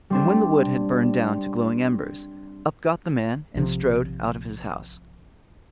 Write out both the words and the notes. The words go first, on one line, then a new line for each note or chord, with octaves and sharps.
And when the wood had burned down to glowing embers, up got the man and strode out of his house.
G3 C4 D4
A#1 C3 F3